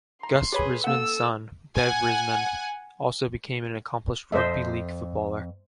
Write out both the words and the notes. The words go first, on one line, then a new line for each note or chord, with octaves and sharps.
Gus Risman's son, Bev Risman also became an accomplished rugby league footballer.
A#5 C6
G4 G#4 B4 C#5 B5
A#3 A4 F#5 E6
F#5 G#5
F2 C5 D#5 E5